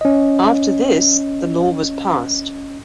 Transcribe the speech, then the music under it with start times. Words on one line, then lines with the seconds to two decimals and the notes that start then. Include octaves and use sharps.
After this the law was passed.
0.01 C#4 D#5